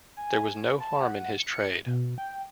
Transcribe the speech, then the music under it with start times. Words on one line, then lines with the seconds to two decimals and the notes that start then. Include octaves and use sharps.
There was no harm in his trade.
0.17 G#5
0.80 A5
1.02 F#5
1.39 C#7
1.86 B2
2.18 G5